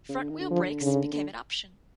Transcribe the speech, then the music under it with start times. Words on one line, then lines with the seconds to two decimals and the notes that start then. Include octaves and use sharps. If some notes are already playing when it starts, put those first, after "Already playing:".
Front-wheel brakes became an option.
0.09 C#3
0.20 D3
0.30 D#3
0.40 D3
0.51 F3
0.81 C#3
1.13 D3